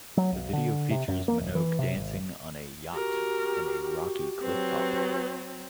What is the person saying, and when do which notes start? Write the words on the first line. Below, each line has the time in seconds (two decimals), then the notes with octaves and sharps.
The video features Minogue dancing on a yacht and a rocky cliff top.
0.17 F#3
0.32 B1
0.53 D3
0.91 C3
1.08 F#2
1.28 A#3
1.40 D#1
1.55 E3
1.79 C3
1.95 G#1
2.94 F#4 G4 A#4
4.42 F#3 C4 B4